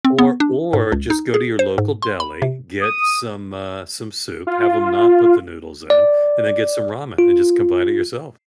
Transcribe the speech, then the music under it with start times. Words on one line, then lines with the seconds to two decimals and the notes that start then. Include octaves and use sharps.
Or or just go to your local deli, get some, uh some soup, have ‘em not put the noodles in, and then get some ramen, and just combine it yourself.
0.05 C4
0.19 B3
0.40 D4
0.73 G#2
0.92 C#2
1.10 D#4
1.34 G#4
1.59 C5
1.78 G#2
2.02 C6
2.20 B5
2.42 C3
2.82 D#6
4.47 F4
5.90 D5
7.18 F4